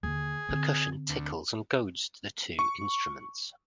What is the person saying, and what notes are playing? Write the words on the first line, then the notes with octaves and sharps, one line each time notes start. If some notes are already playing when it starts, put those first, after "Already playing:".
Percussion tickles and goads the two instruments.
D#2 D3 G#4
D3 C4
D2
C#6